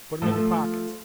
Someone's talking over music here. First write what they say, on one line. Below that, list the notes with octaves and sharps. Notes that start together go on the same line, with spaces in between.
"Put 'em in yo' pockets."
F3 A3 A4